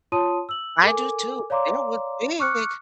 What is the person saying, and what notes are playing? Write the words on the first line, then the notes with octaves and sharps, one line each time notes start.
I do, too. The bear was big,
F4 C#5 A5 C6 D#6 D#7
E6 F#7
A4 A#4 G#5 D6
C#5 D5 F5 A#5 C6 D6
C#6 D6 F6 F#6 C#7